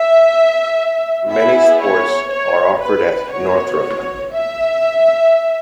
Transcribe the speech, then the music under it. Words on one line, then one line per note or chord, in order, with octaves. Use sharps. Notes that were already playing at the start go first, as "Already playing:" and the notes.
Many sports are offered at Northrop.
Already playing: E5
B3 E4 G#4 E5
C#5
C#5
B4
B3 F#4 C#5
E5